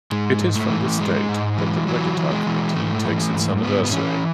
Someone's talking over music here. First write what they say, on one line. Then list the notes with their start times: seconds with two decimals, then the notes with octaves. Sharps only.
It is from this date that the Regatta Committee takes its anniversary.
0.12 G#2 G#3
0.42 G#2
0.56 A3
0.70 E3
1.00 G#2 G#3
1.29 G#2
1.58 E3
1.87 E3 F#3
2.17 E3
2.31 G#3
2.46 E3
2.75 G#2 A3
3.05 E3
3.34 G#2
3.63 G#2 B3
3.83 B3
3.92 E3 C#4